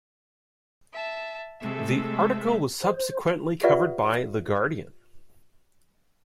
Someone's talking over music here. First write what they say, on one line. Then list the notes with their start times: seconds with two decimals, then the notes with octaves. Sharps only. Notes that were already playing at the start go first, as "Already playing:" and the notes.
The article was subsequently covered by "The Guardian".
0.93 E5 A5
1.60 C3 G#3 A3 A4 E5
2.82 C5
3.63 F4 G4 B4 D5 E5 F#5